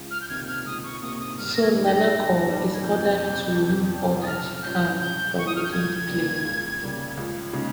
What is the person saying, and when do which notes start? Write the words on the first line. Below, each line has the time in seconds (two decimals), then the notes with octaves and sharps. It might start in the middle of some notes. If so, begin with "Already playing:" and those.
So, Nanako is ordered to remove all that she can from within the plane.
Already playing: C#2
0.11 F6
0.21 G6
0.29 C3 D#3 A#3 G#6
0.48 F6
0.65 C#2 D#6
0.84 C#6
1.01 C3 D#3 A#3 D#6
1.15 C#6
1.20 D#6
1.38 G2 F6
1.54 A#6
1.62 G#6
1.73 D#3 G3
1.86 A#6
2.10 G2
2.46 D#3 G3
2.74 G#6
2.82 F2 G6
3.19 C3 G3
3.55 F2
3.91 C3 G3
4.22 D#6
4.27 C#3 F6
4.63 G3 C#4 F4 G6
5.00 C#3 G6
5.35 G3 C#4 F4 C#6
5.47 D#6
5.56 F6
5.63 G6
5.72 C#2 G#6
6.09 C#3 G3 A#3
6.45 C#2
6.80 C#3 G3 A#3
7.17 C#2
7.53 C#3 G#3 D#4